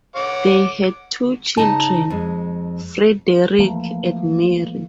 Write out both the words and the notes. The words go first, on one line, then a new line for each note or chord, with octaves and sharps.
They had two children, Frederick and Mary.
C#5 F#5 D6
C#3 D#4 A5
F2 G#3
E3 F3 A3 A#3